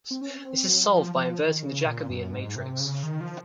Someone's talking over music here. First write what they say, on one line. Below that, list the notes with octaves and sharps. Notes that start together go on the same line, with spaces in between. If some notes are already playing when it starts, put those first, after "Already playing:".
This is solved by inverting the Jacobian matrix.
C4
C#4
C4
F#3
F3
F3
D#3
C#3
A#2
F#2
G#2
C3
C#3
D#3
F3